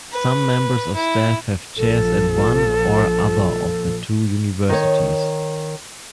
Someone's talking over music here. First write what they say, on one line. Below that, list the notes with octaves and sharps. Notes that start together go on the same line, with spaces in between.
Some members of staff have chairs at one or other of the two universities.
B4
E4
A#1 F3 A4
D#3 C#5